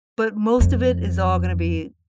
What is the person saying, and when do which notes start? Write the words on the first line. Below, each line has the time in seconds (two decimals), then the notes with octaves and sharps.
but most of it is all gonna be
0.60 F2